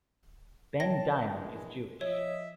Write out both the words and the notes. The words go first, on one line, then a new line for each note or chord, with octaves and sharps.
Ben Dayan is Jewish.
C#5 G5 A5 A#6
A#1 E3 G#3
F3 C#5 D#5 E5